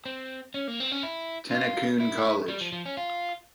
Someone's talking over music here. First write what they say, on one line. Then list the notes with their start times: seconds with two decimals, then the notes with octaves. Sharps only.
Tennakoon College.
0.06 C4
0.54 C#4
0.68 A#3
0.80 C4
0.92 C#4
1.03 E4
1.51 F4
2.00 E4
2.48 G3
2.61 F3
2.72 F3
2.86 C#4
2.97 F4